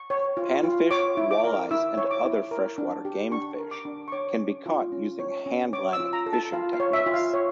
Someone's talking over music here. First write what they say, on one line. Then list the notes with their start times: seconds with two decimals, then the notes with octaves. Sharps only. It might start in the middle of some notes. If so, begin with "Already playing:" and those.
Panfish, walleyes, and other freshwater game fish can be caught using handlining fishing techniques.
Already playing: C#6
0.10 C#5
0.37 F4
0.63 F4
0.91 C#5 D6
1.17 E4
1.31 D6
1.44 A#4
1.71 E4 E6
1.97 C#5
2.11 D6
2.25 E4
2.51 A#4
2.78 D4
3.05 G4
3.32 D4 C#6
3.58 A#4
3.71 D6
3.85 D4
4.08 C#6
4.12 C#5 D6
4.39 C#4
4.66 F4
4.92 C#4
5.19 C#5
5.46 C#4
5.73 C#5 D6
5.93 E6
6.00 F4
6.13 A#5
6.26 A4
6.33 A5
6.53 F4 F5
6.73 F5
6.80 C#5
6.93 E5
7.06 F4
7.14 F5
7.34 C#5